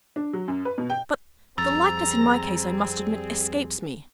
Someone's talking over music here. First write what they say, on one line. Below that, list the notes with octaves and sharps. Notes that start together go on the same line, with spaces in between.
But the likeness in my case, I must admit, escapes me.'
D4
F#3
F#2
B4
B2
G5
F2 G3 C4 G#4 A#5 E6 A6